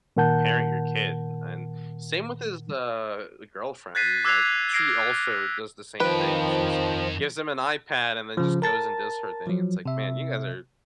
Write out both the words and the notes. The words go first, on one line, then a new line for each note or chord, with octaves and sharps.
parent your kid." And, same with his, uh the girlfriend. Like, she also does the same thing, she just gives him an iPad, and then just goes and does her thing. It's like, "Man, you guys are
A#2 D#3 A#4 F#5 A5 G6
F#6 G#6 A6 B6 C7 D#7
D6 E6 F#6 G#6 C7 F7
F6 G#6 A#6 C7 D7
F2 D#3 F3 B4 G5
C#3 F3
A#4 A5 A6
F3 F#3
C3 E5